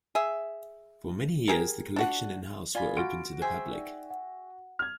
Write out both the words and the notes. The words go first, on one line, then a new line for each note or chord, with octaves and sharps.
For many years the collection and house were open to the public.
G#4 E5
G4 G#4 A#4
D4 F#4 F#5
F4 D5 G#5 B5
F#4 C6 F6 A6 D7
G#4 C5 E5 G5 G#5 C6
D#4 D5 G#5
F#5
F6 G#6